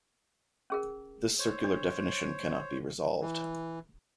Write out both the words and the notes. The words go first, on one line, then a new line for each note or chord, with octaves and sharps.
This circular definition cannot be resolved.
C#4 G#4 A#4
C5 C#5
D4
E3